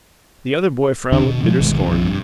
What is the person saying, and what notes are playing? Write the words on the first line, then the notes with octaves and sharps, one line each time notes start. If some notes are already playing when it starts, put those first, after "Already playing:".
The other boy frowned with bitter scorn.
E2 D3 D4
B2
B2 F3 G#3
G1 B2 D#3 G#3
A#1 F2
G2